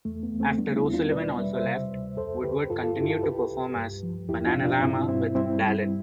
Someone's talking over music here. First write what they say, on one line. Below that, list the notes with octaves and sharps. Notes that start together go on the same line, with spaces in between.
After O'Sullivan also left, Woodward continued to perform as Bananarama with Dallin.
E2 A3
B3
E2
A3 C4
G3 B3 D4
C4 E4
E2
D4 F4
B2 B4 D5
G3 E5
C5 E5
C3
D2
F2 A4 C5
D3 G4 B4
G2 F4 A4
F4 A4
G2 E4 G4
F4 A4
C2 G4 B4
C2
G2
F3
E2 E4 G4
D4 F4
B2
D4 F4
G2 C4 E4
G2 C4 E4
G3 C4 E4
G3